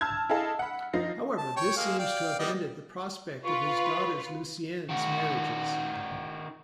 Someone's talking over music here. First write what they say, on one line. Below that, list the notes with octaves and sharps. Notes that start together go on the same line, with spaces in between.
However, this seems to have ended the prospect of his daughters' Lusignan marriages.
A5 E6 F6 G#6
E4 G#4 A4 D#5 F5 A5
F#5 B5
F3 D#4 A#6 C7
A5
C#5 G5 C#6
G#3 A#3 F5
D5 F5 G5
G3 B3 D#5
F4 B4 C#6
D#3 F#4